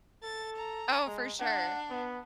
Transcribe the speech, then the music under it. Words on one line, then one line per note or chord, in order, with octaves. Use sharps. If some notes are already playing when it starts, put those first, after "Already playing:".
Oh, for sure.
A4 A6
A#5
G#3
D4 F#5
B3